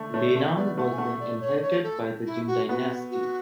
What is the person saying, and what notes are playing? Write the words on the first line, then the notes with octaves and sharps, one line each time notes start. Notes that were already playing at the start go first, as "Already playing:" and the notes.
Lelang was then inherited by the Jin dynasty.
Already playing: D3 A3
A3 C#5
D5
A3 E5
B3 D5
A3 F#5
G#5
A3 F#5
D5
C#5
D5
C#5
A4
E4
F#4
B3 F#4
F#4